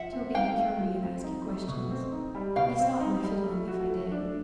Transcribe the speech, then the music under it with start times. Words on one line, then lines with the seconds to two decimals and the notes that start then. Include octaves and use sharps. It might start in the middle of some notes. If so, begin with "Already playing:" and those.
Toby had cured me of asking questions. He stopped my fiddling if I did.
Already playing: F3 E5 F#5
0.13 C4
0.34 D#4 F5 G5
0.57 A3
0.80 F3
1.02 C4
1.24 D#4
1.45 A3
1.68 B2
1.90 C4
2.12 D#4
2.35 G3
2.56 B2 F5 G5
2.79 C4
3.00 D#4
3.23 G3
3.46 A3
3.68 F#4
3.90 A3
4.11 D4